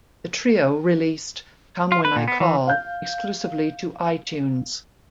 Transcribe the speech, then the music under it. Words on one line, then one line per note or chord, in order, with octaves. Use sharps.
The Trio released "Come When I Call" exclusively to iTunes.
F4
B4
A#2
B3
E3
F5 G6